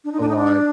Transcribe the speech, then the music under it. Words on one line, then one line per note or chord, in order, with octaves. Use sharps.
But like
D4
D#4
D4
D#4
D4